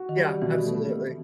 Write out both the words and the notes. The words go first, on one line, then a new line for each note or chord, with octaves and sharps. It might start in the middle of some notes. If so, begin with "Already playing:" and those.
Yeah, absolutely.
Already playing: F#4
D#3
G3
D#3
B2 E3
A3
B2